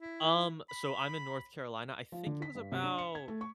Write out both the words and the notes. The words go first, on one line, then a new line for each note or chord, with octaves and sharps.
Um, so I'm in North Carolina. I think it was about
E4
B5
F3
D3
B6
G2
C3
D4
C#7
G#6
A3
C#6